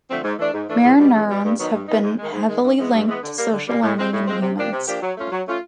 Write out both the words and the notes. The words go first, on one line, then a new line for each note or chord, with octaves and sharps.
Mirror neurons have been heavily linked to social learning in humans.
D3 F3 A3 C4
G#2
E3 A3 D4
G#2
E3 A3 D4
E2
B2 G3
E2
B2 G3
G2
D#3 F#3 B3 D#4
G2
D#3 F#3 B3 D#4
G#2
D#3 G#3
G#2
D#3 G#3
G2
E3 G#3 B3
G2
E3 G#3 B3
D3
G3 A#3
D3
G3 A#3
A2
F3 G#3 C4
A2
F3 G#3 C4
C3
F3 A#3 D4 G4
C3
F3 A#3 D4 G4
F#3
A3 C#4 F4
F#3
A3 C#4 F4